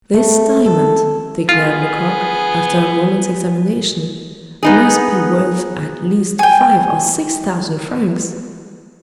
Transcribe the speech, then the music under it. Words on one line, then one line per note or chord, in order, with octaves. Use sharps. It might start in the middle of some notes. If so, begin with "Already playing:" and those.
"This diamond," declared Lecoq, after a moment's examination, "must be worth at least five or six thousand francs."
A3
A4
B3 F4 G#4
B3 D#4 G#4
G5 G#5